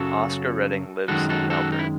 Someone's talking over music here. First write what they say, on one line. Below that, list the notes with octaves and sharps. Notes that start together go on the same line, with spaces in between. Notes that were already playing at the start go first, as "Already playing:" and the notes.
Oscar Redding lives in Melbourne.
Already playing: F#2 C#3 F#3 F#4 A4
F#2 D#3 G#3 F#4 A4
F#4 A4
F#4 A4
D#4
E4